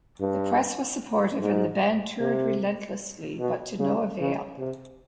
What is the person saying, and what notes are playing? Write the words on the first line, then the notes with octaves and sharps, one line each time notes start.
The press was supportive and the band toured relentlessly, but to no avail.
G2
G#2
C3
B2
C#3
C#3
C3